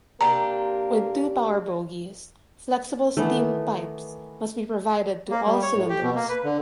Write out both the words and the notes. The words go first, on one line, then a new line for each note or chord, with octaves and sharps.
With two power bogies, flexible steam pipes must be provided to all cylinders.
C3 A#3 D4 G4 A#5
D#3 E3 A3 B3
A#3
G3
C#5
A2
G4
B2
A#3
B4
D3